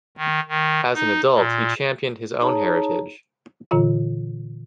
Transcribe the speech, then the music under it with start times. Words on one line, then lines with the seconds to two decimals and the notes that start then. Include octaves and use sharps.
As an adult, he championed his own heritage.
0.17 D#3
0.49 D#3
0.95 D#4
1.34 A#2
2.41 D#4 G#4 C#5 A5 A#5
3.71 A#2 D3 E3 F4